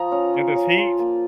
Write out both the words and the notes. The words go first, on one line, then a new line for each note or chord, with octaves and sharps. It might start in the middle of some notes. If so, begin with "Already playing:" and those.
In this heat?
Already playing: F3 F4 A#5 D#6
C#4
C#4
C#4
F4
A#3